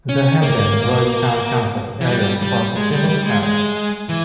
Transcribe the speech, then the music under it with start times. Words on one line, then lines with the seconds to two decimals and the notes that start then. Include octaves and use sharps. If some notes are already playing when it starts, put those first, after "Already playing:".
The Hebden Royd Town Council area forms a civil parish.
0.09 C#4
0.42 A#3
2.01 E3
2.09 G3
2.43 G3
2.76 G#3
2.93 G3
3.09 G3
3.26 G#3
3.43 G#3
4.09 E3